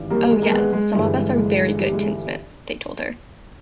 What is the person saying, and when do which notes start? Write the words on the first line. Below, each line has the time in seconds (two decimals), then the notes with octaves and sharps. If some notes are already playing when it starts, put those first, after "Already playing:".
"Oh, yes; some of us are very good tinsmiths," they told her.
Already playing: G#1 G2 E3
0.10 G3 A#3
0.31 G#3
0.42 A#3
0.52 G#3 B3
0.73 G#3
0.94 G1 G2 E3 G#3
1.15 G#3
1.37 G#3
1.79 G3
1.93 G#3